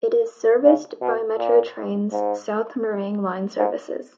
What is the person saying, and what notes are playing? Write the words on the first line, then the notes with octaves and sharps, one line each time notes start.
It is serviced by Metro Trains' South Morang line services.
C#3
B2
A#2
G#2
G#2